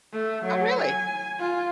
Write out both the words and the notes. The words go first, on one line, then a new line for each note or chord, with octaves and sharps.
Oh, really?
A3
F#3
G#5
F4